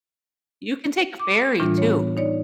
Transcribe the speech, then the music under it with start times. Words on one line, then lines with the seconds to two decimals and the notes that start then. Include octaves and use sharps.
You can take a ferry too.
1.19 D6
1.60 A2 E3 G3 D4 F4
1.78 B3 C#5
2.17 D#4 C#5 D5